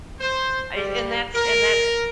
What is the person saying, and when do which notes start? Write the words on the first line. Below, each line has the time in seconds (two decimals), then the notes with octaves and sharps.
I and that's and that
0.20 C5
0.75 G3
1.34 A#4